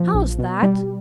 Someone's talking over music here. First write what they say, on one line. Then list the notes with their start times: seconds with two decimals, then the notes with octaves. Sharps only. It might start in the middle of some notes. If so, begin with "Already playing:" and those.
"How's that?"
Already playing: A#2 F3
0.14 A#1
0.39 B2
0.63 G3